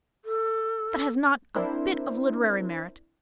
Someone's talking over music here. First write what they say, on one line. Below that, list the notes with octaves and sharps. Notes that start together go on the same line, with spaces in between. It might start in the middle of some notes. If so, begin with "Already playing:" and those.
That has not a bit of literary merit.
A4
C4 D4 E4 A#4 C5